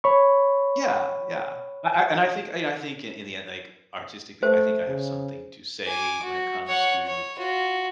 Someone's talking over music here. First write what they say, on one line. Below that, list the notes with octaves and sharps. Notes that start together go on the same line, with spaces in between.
Yeah, yeah. I I and I think And I think in the end, like, artistically, I think I have something to say when it comes to,
C#5 B5 C#6
A3 C5
C#3
G#5 D6
F#4
C#5 F#5
C#5
F4 F#4